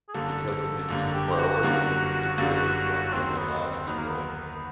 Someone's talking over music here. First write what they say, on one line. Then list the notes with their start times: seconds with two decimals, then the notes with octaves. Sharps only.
Because of these two priorities it became very influential in the Linux world.
0.09 G#4
0.14 G1 F#2 D3 G3 A#3 A4
0.89 G1 F#2 D3 G3 A#3
1.13 G4
1.39 F#4
1.63 G1 F#2 D3 G3 A#3
2.38 G1 F#2 D3 G3 A#3
3.13 D#2 D#3 F#3 C4
3.38 B3
3.58 B3
3.63 C4
3.87 D#2 D#3 F#3 B3
3.98 A#3
4.09 B3